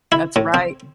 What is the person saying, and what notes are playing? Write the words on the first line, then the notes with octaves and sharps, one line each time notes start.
That's right.
E4
A2
C4